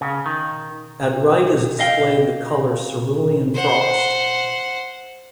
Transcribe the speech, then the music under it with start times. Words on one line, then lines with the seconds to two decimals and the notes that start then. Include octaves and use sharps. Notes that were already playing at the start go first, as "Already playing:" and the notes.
At right is displayed the colour cerulean frost.
0.01 C#3
0.26 D#3
1.79 D#5 F5 G5
3.55 C5 F#5